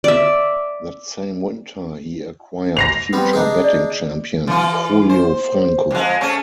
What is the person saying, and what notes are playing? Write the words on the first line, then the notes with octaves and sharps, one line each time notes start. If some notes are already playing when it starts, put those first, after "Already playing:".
That same winter he acquired future batting champion Julio Franco.
D5 E5
A#6 C7 F7
G3 B3 C4
D4 D#4 G#4
D5
E3 F4
C5
F2 G#3
A3 C#4 G#4